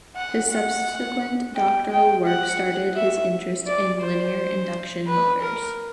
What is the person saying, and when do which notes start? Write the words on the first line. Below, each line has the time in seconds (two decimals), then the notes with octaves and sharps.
His subsequent doctoral work started his interest in linear induction motors.
0.16 F#5
0.51 F#5
1.55 G5
1.91 G5
2.26 F#5
2.96 E5
3.67 D5
4.01 C5
5.07 B4
5.41 A#4